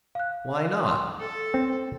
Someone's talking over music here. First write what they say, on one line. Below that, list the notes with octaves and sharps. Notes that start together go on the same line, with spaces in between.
"Why not?"
F5 F#6
C6
A4
C4